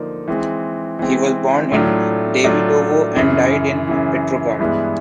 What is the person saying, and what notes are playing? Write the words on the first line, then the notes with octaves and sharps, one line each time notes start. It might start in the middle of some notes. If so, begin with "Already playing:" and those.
He was born in Davydovo and died in Petrograd.
Already playing: D3 F3 A#3 D#4
E3 G#3 C4
E3 G#3 C4
A2 F#3 A3 D4 F4
A2 F#3 A3 D4 F4
F#2 C#3 E3
F#2 C#3 E3
G2 E3 G#3 B3 E4